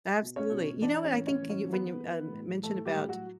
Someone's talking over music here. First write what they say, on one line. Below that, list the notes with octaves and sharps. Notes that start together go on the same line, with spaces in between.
Absolutely, you know what, I think you when you, um, mentioned about,
B2
C#4 C#5
B2
E3 D4 D5
C#4 C#5
A2
C#4 C#5
E3
C#4 C#5
E3 B3 B4
E3
A2
E3 A3 A4
G3 G4
A2
F#3 F#4